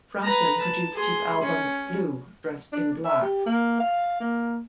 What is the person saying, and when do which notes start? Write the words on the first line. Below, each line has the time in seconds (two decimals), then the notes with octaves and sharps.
Frampton produced his album "Blue, Dressed in Black".
0.22 B4 A#5
0.61 A5
0.93 G#4 C6
1.41 C#4
2.72 D4
3.05 E5
3.22 G4
3.46 A#3
3.80 F5
4.20 A#3